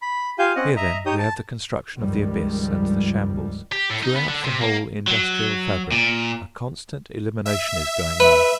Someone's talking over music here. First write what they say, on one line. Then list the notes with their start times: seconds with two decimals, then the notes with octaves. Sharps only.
Here, then, we have the construction of the Abyss and the shambles. Throughout the whole industrial fabric a constant elimination is going on.
0.02 B5
0.39 F4 G4 F5 G#5 G6
0.56 C4 C#4 D#5 F#5
0.76 D#5 E5 A#5
1.06 D#4 G4 C#5 D#6 G6
1.19 A5
1.97 C#2 G2 D#3 F3 G3 G#3
3.72 G4
3.90 A2
4.03 D#4
4.16 B3
4.28 D3
4.44 C3
4.62 A#3
5.08 F#3
5.92 A#2
7.46 E5
8.20 B4